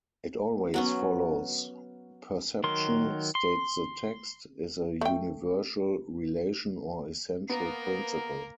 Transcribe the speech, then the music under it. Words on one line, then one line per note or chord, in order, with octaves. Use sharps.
It always follows perception, states the text, is a universal relation or essential principle.
F#3 B3 C#4
D#3 F#3 A#4 C6
C6
A3 G5
A#3 B3 A#4